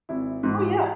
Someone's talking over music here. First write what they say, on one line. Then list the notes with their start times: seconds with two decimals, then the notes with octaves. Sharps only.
Oh, yeah.
0.09 G#1 E4
0.43 G#2 E3